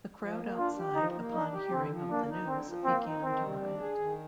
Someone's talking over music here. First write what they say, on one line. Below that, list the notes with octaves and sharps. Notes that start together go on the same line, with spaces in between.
The crowd outside, upon hearing of the news, began to riot.
F3
A#3
D4 F4
G4
F3 D#4
A#3
D4 D#4
G4
D3 C4
F3
A#3 D4
D#4
D3 C4
F3
A#3 C4
D#4
D#3 C4
G3
D4
G#4
D#3